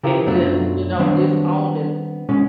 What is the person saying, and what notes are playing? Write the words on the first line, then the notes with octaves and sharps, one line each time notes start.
and just, you know, disowning
C#3 E4 F4 G4 A#4
F#2 B2 F#3 A3 D4 F4
D#3 G3 B3 C4 D4 C#5
B2 G#3 C#4